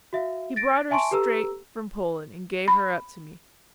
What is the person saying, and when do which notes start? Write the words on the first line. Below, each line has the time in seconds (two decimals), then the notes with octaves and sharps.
He brought her straight from Poland and gave her up to me.
0.13 F#4 E5 F5
0.56 A6 A#6 D7
0.90 E5 G#5 A5 C6 C#6 D7
1.11 G4 A4 B4 A#5 E6
2.68 B5